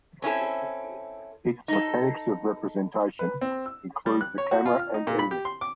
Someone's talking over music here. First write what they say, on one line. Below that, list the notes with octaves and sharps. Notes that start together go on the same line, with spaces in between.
Its mechanics of representation include the camera and editing.
C4 C#4 E4 A4
D#4 A4
B4
C4
E6
G3
F#6
C#5
F#4
F4
F6
D#4
A#2
B5
G4
C6
D6